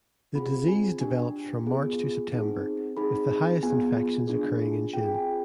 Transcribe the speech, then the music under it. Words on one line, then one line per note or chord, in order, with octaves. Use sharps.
The disease develops from March to September, with the highest infections occurring in June.
C4 F4 G#4 B5
G#5
D4 G4 G#5
B3 F4 G#4
C4 D#4 G#4
C4 D#4 G#4 B5
B3 F4 G#4 G#5
D4 F4 G#4
C4 F4 G#4 G5
G#5